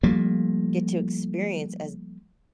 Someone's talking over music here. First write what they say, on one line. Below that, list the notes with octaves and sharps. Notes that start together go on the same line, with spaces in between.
get to experience as
F3 G3 A3 A#3